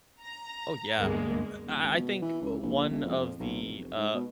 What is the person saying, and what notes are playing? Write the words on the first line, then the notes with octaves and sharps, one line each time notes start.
Oh, yeah, uh, I I think one of the, uh,
A#5
D2 G2 G#3 A#3 B3
D#1
G#1
B2
E3
C#2
A#1
E1
F2
B1
F1
G#2
B2